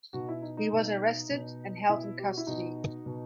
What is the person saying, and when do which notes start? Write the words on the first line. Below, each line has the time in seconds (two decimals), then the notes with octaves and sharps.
He was arrested and held in custody.
0.13 B2 D#4 F#4
0.29 E4
0.42 D#4
0.57 D#4
0.73 B2
1.30 B2
1.89 B2 E4
2.19 G4
2.28 F#4
2.37 E4
2.47 B2 D#4 F#4
3.06 B2